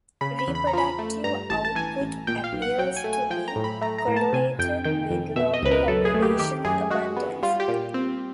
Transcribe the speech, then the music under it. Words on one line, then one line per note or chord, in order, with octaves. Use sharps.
Reproductive output appears to be correlated with local population abundance.
C#3 B5
B5
E2
B5
A#5
F3 B5
A3
G2 A#5
A1 A5
A5
E3 G#5
A1
A#2 G5
F5
B1
F#5
F#3 G5
G#5
A3
G#5
F3 G5
A#5
A2
B5
A3 A#5
A#5
A2
A5
C3 G#5
F2 G5
D#3 G5
F2
B2 E5
D#5
C#2 B4
A#4
F#3 A4
G#4
A3
G4
D#3 G4
F#2 G#4
G#3 F#4
B3
G3 F4
G4
A#2
C4